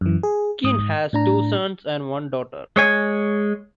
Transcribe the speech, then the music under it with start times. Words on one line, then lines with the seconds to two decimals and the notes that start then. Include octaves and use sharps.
Keen has two sons and one daughter.
0.01 F#2 E3
0.23 G#4
0.64 G#2 D#6
1.13 A2 D4 A#5
2.76 G#3 C#5 G#5